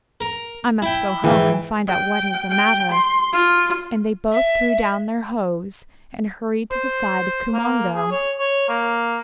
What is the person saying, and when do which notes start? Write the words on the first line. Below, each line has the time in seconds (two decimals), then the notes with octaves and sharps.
I must go home and find out what is the matter.' And they both threw down their hoes and hurried to the side of Koumongoe.
0.21 A#4
0.82 E4 G5
1.24 G#2 E3 G5
1.89 G5
2.51 G5
2.92 C6
3.33 F4
4.32 E5
6.71 C5
7.54 A#3
7.95 G#4
8.11 C#5
8.39 C#5
8.69 A#3